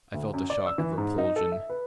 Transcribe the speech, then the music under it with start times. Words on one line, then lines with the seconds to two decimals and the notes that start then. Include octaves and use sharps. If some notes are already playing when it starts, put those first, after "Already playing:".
I felt a shock of repulsion.
0.14 D2
0.34 F#2
0.50 D5
0.66 E6
0.78 E3
0.98 G#2
1.18 D#4
1.36 A4
1.52 E5
1.70 B4